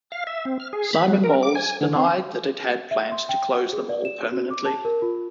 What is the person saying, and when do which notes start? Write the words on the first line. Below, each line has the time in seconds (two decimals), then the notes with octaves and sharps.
Simon Malls denied that it had plans to close the mall permanently.
0.12 F5
0.27 E5
0.45 C4
0.60 F6
0.73 G#4
0.93 B5
1.08 F#3
1.24 A#4
1.43 D6
1.55 G#5
1.81 D3
1.97 C4
2.91 E5
3.12 C6
3.29 G5
3.55 F#5
3.73 G#4
3.89 D5
4.05 E7
4.32 F#4
4.51 D6
4.66 A5
4.85 A#4
5.02 F4